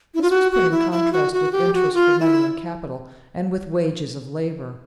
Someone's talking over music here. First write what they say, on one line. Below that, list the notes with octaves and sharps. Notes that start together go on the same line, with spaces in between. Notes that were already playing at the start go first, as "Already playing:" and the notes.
This was put in contrast with interest for money and capital, and with wages of labor.
E4
F4
F#4
F#4
E4
E4
F#4
F#4
G4
F#4
F4
E4